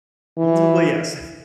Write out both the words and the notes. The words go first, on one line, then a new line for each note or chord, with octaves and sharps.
Mm, well, yes,
E3